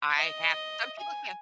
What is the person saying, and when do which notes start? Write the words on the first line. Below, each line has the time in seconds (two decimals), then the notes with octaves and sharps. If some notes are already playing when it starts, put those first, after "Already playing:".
I have some people can,
0.17 D#5
0.99 G#5